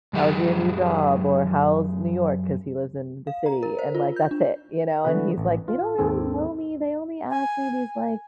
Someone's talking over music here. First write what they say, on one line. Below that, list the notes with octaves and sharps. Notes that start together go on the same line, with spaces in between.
"How's your new job?" or "How's New York?" 'cause he lives in the city and like that's it, you know, and he's like, "They don't really know me, they only ask me these like
F#2 F#3 G4 G#4 F#5
F5
A#5
A#4
C5
F4
G6
D4
D3 E3 B3 F#4 B4
A1
F4
D#2 G#2 C4 A4
G#5